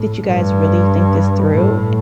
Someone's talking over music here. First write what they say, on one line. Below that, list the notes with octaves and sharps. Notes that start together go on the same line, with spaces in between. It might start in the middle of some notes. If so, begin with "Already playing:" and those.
"Did you guys really think this through?
Already playing: A2
G2
A2